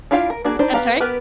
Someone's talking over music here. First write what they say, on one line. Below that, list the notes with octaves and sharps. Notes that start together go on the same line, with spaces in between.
I'm sorry?
D4 E4 F4 F5 G5
A#4
A#3 D4 F#4 G#4
D4 D#4 C5
B3 G4 F5 A#5
B3 G4 A#4 B4